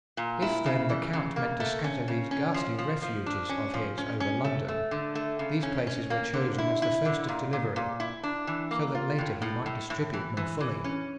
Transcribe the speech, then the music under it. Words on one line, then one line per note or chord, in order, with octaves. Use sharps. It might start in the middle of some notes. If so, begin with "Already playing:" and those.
If then the Count meant to scatter these ghastly refuges of his over London, these places were chosen as the first of delivery, so that later he might distribute more fully.
A#2
E4
C#3
E3
C#3
A#3
A3
C#4
C#3
C#4
F3
F3
F3
D4
C#4
F3
C#4
C#4
A3
A3
D3
A3
C#3
C#4
C#4
A#3
D3
E4
E4
D3
A#2
A#2
A#2
E4
D4
E3
A#3
F4
A2
A2
A2
A2
E3
E3
E3
C#4